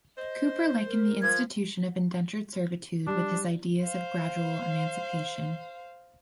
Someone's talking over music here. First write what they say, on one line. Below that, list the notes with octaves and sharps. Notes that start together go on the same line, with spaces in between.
Cooper likened the institution of indentured servitude with his ideas of gradual emancipation.
C5 D#5
A#4
F3 G#6
G3 D4
C5 F5